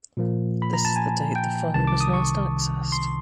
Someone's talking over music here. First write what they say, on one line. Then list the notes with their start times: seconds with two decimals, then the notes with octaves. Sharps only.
This is the date the file was last accessed.
0.17 A#2 F3 A#3
0.62 B5
0.73 A#5
0.85 A5
0.96 G#5
1.36 G5
1.74 C2 C3 D#3 A5
1.87 D6
2.00 D#6
2.14 C#6
2.92 C6